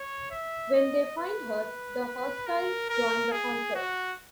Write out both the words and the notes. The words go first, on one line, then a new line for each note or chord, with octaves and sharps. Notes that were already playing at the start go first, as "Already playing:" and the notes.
When they find her, the hostiles join the concert.
Already playing: C#5
E5
D#5
B4
A#4
A#4
G#4
F#4